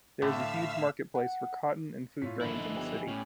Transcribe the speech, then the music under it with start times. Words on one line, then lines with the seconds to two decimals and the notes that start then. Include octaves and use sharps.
There is a huge market place for cotton and food grains in the city.
0.22 A2 D3 A3 E5 F5 E6
1.15 F#5
2.22 A2 F4 C#5 B6
2.41 G1 D3 F3 E4
2.54 D#4
2.75 G3 B3 D#4 G#5
3.08 A2 C#4 G4